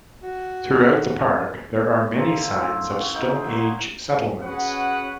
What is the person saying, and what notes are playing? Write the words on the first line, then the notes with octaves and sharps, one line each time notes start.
Throughout the park there are many signs of Stone Age settlements.
F#4
F3 A3 A#3 C4
D3
A2
C#3 F#4
D#4 E4 C5 G5
A#2 F#3 A#3
C#4 F#4 G#4 B4 C#5 F#5